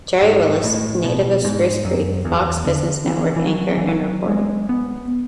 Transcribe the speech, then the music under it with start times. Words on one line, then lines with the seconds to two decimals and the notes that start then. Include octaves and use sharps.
Gerri Willis, Native of Spruce Creek, Fox Business Network Anchor and Reporter.
0.23 G#2
0.64 A2
1.04 B2
1.44 G#2
1.85 F#2
2.25 E2
2.66 D3
3.06 E3
3.36 E3
3.47 F#3
3.77 E3
3.88 F#3
4.28 G#3
4.69 B3